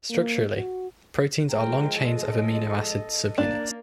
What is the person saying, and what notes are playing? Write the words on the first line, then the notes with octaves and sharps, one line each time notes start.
Structurally, proteins are long chains of amino acid subunits.
A#3
F#4
F3 G#3 A#4 G5
A4 D#5
A#3 D4